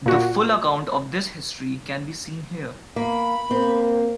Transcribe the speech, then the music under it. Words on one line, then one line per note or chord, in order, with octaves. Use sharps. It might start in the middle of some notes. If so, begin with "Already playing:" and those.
The full account of this history can be seen here.
A#2 F#4
A#3 B5
A#3 C4